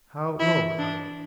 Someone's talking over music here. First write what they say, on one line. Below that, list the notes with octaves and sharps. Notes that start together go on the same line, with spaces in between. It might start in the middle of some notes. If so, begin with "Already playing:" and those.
"How old are you?"
E3 E4
D4